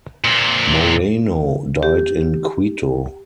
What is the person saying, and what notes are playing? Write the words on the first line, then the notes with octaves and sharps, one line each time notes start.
Moreno died in Quito.
A#2 C4
G4